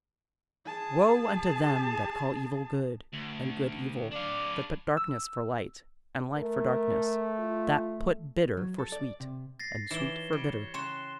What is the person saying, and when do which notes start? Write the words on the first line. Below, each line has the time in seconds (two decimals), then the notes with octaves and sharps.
Woe unto them that call evil good, and good evil; that put darkness for light, and light for darkness; that put bitter for sweet, and sweet for bitter!
0.66 G#4 A5
3.13 D2
4.11 D4 D5 F5
4.97 E6
6.37 A3 A#4
7.39 F4
8.57 F#3
8.79 A4
8.92 D5
9.20 C3
9.60 A6 A#6 C7
9.91 E3 D#4 B4 C#5 D5 E7 G7
10.33 G3 C#7
10.52 C#5
10.74 C#3 C#5 G5 C6 F#6 E7